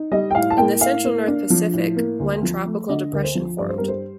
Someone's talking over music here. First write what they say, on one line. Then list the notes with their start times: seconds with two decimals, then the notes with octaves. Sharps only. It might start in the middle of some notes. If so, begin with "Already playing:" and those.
In the central north Pacific, one tropical depression formed.
Already playing: D#4
0.12 G3 D#5
0.31 G5
0.35 A2 F5
0.50 A5
0.58 A#3 G5
0.81 A2 F5
1.04 A#3
1.27 D4
1.50 F3
1.73 A2
1.96 A#3
2.20 D2
2.43 F3
2.66 A3
2.89 D3 D#5
3.13 D2 A#4
3.23 C5
3.35 F3
3.58 G2 D5
3.69 C5
3.78 G3 A#4
3.88 C5